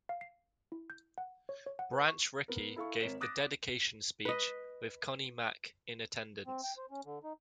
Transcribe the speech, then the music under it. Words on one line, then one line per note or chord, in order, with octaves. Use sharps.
Branch Rickey gave the dedication speech, with Connie Mack in attendance.
F5
C7
E4
G6
F#5
C#5
C#5
F#5
B4
C#6
B3 A#4
E4 A4 F5 C#6
G#1 A#4 C#5 B6 E7
D6 D#6 F#6 A6 A#6 D7
B4 D#5
C4
G5
C5
C#4
D3
D#4